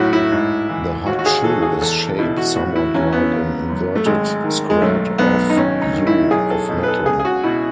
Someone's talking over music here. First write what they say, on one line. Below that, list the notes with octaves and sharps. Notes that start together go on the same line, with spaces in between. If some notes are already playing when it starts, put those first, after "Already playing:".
The hot shoe is shaped somewhat like an inverted, squared-off "U" of metal.
Already playing: B1 A2 E4 F#4
E4
G#2
E3
D#2 F#4
F#4
G#4
E3 A4
G#4
E2 A4
B2 E4
F#4
A2 F#4
E4
A1 C#4
B3
C#3
F#2
A3
G#1 G#3
D#3
G#3
B1 A3
B1 B3
D#4
G#1 C#4
D#4
D#3
E4
B1 G#4
A4
B2
B4
A4
C#2 G#4
G#4
F#4
B2 E4